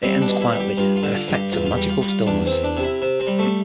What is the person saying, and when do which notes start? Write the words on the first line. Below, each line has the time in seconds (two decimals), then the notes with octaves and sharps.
It ends quietly, "an effect of magical stillness".
0.03 G3 C4
0.22 D4
0.28 B2
0.41 E4
0.53 G3
0.60 G4
0.77 G2 F4
0.96 F4
1.03 D3
1.15 F4
1.28 G2
1.34 G4
1.52 E2 F4
1.65 F4
1.71 G4
1.77 G3
1.89 F4
2.01 G3
2.09 F4
2.27 E2 D4
2.46 C4
2.52 E2
2.64 D4
2.77 C3
2.83 E4
3.02 C3
3.20 C4
3.27 G3
3.39 A3